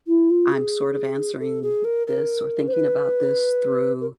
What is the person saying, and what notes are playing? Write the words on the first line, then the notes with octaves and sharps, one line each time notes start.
I'm sort of answering this or thinking about this through,
E4
F4
G#4
A4
G#4
A#4
A#4
C5
B4
A#4